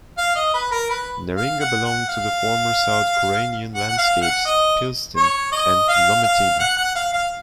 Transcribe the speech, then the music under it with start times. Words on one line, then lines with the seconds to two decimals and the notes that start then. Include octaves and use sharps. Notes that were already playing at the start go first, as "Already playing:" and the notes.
Neringa belonged to the former south-curonian landscapes "Pilsaten" and "Lamotina".
0.18 F5
0.35 D#5
0.53 B4
0.71 A#4
0.89 B4
1.37 F5
1.60 F#5
1.84 F#5
2.08 F5
3.75 F#5
3.88 F#5
3.98 F5
4.22 F#5
4.45 D#5
5.16 C#5
5.52 D#5
5.88 F5
6.23 F5
6.60 F#5
6.77 F#5
6.95 F5
7.13 F5